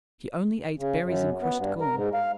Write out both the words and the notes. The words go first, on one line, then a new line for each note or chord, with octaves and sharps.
She only ate berries and crushed corn.
C#3
F#2
B3
G2
A#4
G#2
F5